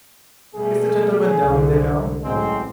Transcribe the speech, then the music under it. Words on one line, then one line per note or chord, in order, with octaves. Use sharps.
"Is the gentleman down in the town?"
B2 G3 A3 G#4
C2 F#2 D3
A1 F#3 G#3 C4